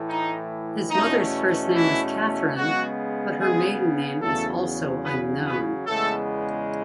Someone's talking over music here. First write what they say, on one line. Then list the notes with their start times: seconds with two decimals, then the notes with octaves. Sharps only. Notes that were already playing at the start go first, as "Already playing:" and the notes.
His mother's first name was Katherine, but her maiden name is also unknown.
Already playing: A2 E3 A3
0.09 D#4
0.90 E2 B2 A3 C#4 D#4
1.74 E3 E4
2.56 C#3 F#3 G#3 B3 F#4
3.38 G#3 G#4
4.21 E2 C#3 F#3 A3 B3 A4
5.03 B3 B4
5.45 B3 B4
5.86 E2 C#3 G#3 A3 B3 A4